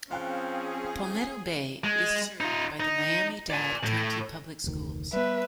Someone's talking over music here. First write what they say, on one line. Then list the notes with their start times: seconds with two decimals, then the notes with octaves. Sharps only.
Palmetto Bay is served by the Miami-Dade County Public Schools.
0.11 F3 C4 C#4 G#4 F5 G5 F#6
1.84 G#3
2.41 D#4 F4
2.80 D#4
3.50 D5 G#5
3.84 A2
4.64 F1 D2 D#3
5.13 G3 B3 B4 E5